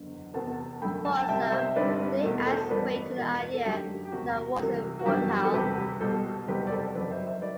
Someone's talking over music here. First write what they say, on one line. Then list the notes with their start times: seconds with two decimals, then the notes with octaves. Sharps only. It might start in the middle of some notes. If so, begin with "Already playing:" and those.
For some, the day adds weight to the idea that war is futile.
Already playing: F#1 E2 D3
0.34 E2 C3 E3 B3 F#5 A5
0.82 F#2 D3 A3 G5 B5
1.05 F#5 A5
1.23 A5
1.28 C2 C3 G3 C4 E5 G5
1.52 C5 E5
1.76 G2 D3 G3 C4 E4 B4 D5
2.23 E2 B2 A3
2.46 A4 C5
2.70 A1 G2 E3 B3 B4 D5
3.18 E1 E2 B2
3.53 A4
3.65 F#2 D3 F#3 A3 D4 G4
4.05 G4
4.12 E1 E2 C3 F#4
4.58 C2 C3 E3
4.99 F#4
5.06 F#2 E3 G3 B3 D4 G4
5.29 F#4
5.37 G4
5.45 A4
5.53 E1 D2 C3 G3 G4 B4
6.00 C2 B2 G3 A4 C5
6.47 F#1 E2 C3 G3 C4 G4 B4
6.67 D5
6.71 A4 C5
6.95 F#1 F#2 F#3 B4 D5
7.11 C5 E5
7.27 C5 E5
7.42 F#3 B4 D5